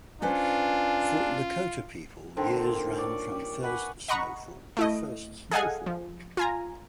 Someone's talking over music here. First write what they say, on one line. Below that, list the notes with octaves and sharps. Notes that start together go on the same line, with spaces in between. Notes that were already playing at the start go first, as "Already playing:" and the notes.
For Lakota people, years ran from first snow fall to first snowfall.
C#4 D4 F4 B4 C5 G#5
D3 D#3 C4
A#2
C#5 D5
G4
B4 F#5 G#5 B5
D#5 F#5 A#5 B5 C#6
A3 E4 D#5
G#4 A4 D#5 F5 F#5 G#5
F3
F4 G#5 A#5